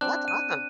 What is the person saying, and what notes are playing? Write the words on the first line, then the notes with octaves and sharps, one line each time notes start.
That's awesome.
C4 D4 F#6
D#7